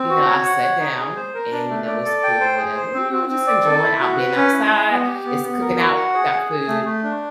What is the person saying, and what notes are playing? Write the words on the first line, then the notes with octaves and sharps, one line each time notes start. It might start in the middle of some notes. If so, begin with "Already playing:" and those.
you know, I sat down, and, you know, it's cool or whatever. You know, we're just enjoying out being outside, it's cooking out cook out food,
Already playing: C4
F#4
C#5
F#5
C#5
D#4
G#4
C5
A#4
D4
A3
D5
A4
G5
C5
G#4
C5
C4
C4
C4
D5
A4
E4
F#4
B4
C#4
E4
E4
B3
G4
B3
B3
A#4
F#4
F#5
G#4
G#4
G#4
A3
A3
D4